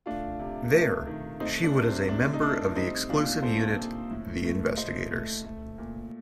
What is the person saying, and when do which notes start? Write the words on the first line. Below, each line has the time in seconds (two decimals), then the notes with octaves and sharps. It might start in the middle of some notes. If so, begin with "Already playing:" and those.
There, she was a member of the exclusive unit "The Investigators".
0.06 A3 D4 F4
0.39 C3
0.73 A3
1.07 D#3
1.40 A3 C4 D#4
1.64 D4
1.75 C3
1.86 C4
2.08 A3 D4
2.33 D#4
2.42 A3 D4
2.75 G3 C4 D#4
3.09 A#2 D4 F4
3.42 A#2 A4 C5
3.76 A#2
4.11 A2
4.44 A3
4.77 A3 C5 D#5
5.11 A3
5.45 A3
5.78 A#2